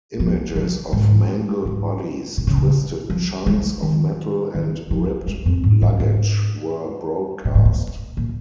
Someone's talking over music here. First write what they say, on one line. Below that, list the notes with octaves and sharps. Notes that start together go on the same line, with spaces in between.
Images of mangled bodies, twisted chunks of metal and ripped luggage were broadcast.
F3
F3
G#2
G#2
A#2
C#3
A#2
F3
G#3
D#3
D#3
F3
G#3
F2
G#2
G#2
G#2
A#2
G#2
A#2
A#2